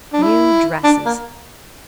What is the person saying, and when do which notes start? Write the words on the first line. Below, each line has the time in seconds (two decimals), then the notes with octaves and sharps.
New dresses!
0.13 D4
0.22 E4
0.84 D4
1.05 A#3